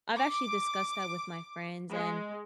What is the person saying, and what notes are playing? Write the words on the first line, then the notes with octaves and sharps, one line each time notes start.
I've actually discussed that with my friends, and
D6
G#3